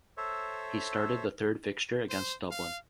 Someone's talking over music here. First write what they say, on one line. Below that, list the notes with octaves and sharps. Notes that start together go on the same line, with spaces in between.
He started the third fixture against Dublin.
A4 C5 C#5 E5
C5
F5